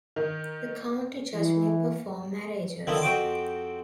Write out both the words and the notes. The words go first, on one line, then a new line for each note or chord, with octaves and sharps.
The county judge may perform marriages.
D#3
E3
D3 D#3 B3 C4 E4 F4
F2 C4 F#4 G5 C6 D6